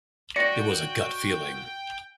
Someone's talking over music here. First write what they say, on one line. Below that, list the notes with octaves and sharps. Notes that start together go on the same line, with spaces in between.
It was a gut feeling.
F#4 D5 G5 A#6 C#7